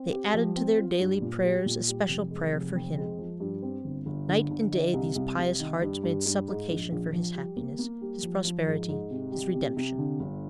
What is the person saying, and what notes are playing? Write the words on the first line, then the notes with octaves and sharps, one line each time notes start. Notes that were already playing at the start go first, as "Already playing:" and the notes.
They added to their daily prayers a special prayer for him; night and day these pious hearts made supplication for his happiness, his prosperity, his redemption.
Already playing: C4
G4
F3
C4
F4
G2
A#2
G3
A#2
G3
F1
G#3
F1
F2
G#3
F3
G2
C4
G1
G1
D3
D3
D#4
C2
C2
C2
D#3
G2
G2
G2
G#2
A#1
A#1
F3
G3
A#3
A#3
G3
F3
F3
G#2
G#2
C3
G3
C3
C3
D3
G1